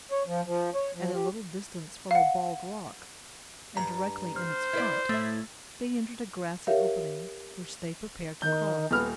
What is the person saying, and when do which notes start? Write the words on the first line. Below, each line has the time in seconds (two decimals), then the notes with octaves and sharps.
At a little distance from a bald rock, and directly in its front, they entered a grassy opening, which they prepared to cross.
0.12 C#5
0.26 F3
0.46 F3
0.75 C#5
0.95 F3
1.14 G4
2.11 F5 F#5
3.77 G2 A#5
4.36 C5 F6
4.73 E4 B4 D5
5.09 A2 A3 E4
6.67 G4 A#4 C#5 E5 F5
8.42 D#3 G6
8.91 D#1 B3 F6